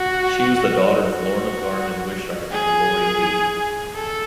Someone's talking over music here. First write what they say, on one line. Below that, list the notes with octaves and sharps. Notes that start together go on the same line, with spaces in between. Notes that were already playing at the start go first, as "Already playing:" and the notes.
She was the daughter of Lorna Garman Wishart and Laurie Lee.
Already playing: F#4
F#4
G#4
A4